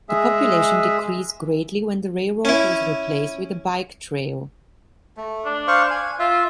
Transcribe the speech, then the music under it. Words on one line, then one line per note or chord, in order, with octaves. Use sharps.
The population decreased greatly when the railroad was replaced with a bike trail.
G#3 G#4 E5
C#4 E4
A3
D4
C5 F5 C#6
G#5
F4 E5